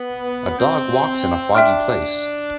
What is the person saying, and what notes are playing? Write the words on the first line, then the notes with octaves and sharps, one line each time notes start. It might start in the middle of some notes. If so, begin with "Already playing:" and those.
A dog walks in a foggy place.
Already playing: B3
C4
D4 E5 G5 C6 F6